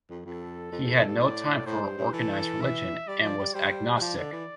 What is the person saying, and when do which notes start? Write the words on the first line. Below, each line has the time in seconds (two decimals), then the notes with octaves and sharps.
He had no time for organised religion, and was agnostic.
0.10 F2
0.25 F2 A4
0.72 F2
0.84 E2
0.96 F2
1.07 G2
1.19 A2 D5
1.66 A2 C5
1.82 G2
1.98 G2
2.13 E3 A4
2.61 E5
3.07 G3 D5
3.23 F3
3.38 G3
3.54 G3 C5
3.97 G3
4.02 F3 D5
4.17 D3
4.33 E3